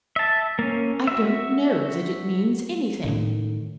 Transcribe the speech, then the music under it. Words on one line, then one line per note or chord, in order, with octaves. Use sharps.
'I don't know that it means anything.
E5 A5
A#3 C#4
F#4 E5
A2 D#3